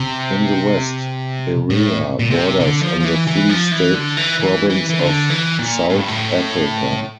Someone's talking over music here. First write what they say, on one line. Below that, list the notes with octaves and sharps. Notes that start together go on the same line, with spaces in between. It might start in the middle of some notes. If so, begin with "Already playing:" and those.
In the west, Berea borders on the Free State Province of South Africa.
Already playing: C3
A2
A#2
C3
D3
F3
F3
E3
E3
F3
E3
D3
E3
E3
E3
E3
D3
E3
A#2
A2
G2
A2